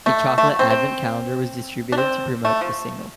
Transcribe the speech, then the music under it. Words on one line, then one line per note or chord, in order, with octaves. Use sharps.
A chocolate advent calendar was distributed to promote the single.
A3
A3
C4
C4
D4
C4
A3
F3